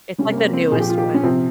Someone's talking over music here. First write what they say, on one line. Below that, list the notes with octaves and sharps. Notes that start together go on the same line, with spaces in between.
It's, like, the newest one.
C3 G3 C#4
A#3
C4
C4
A#2 F3 G#4
G4
F4
G4
C#4
C3 F3 C4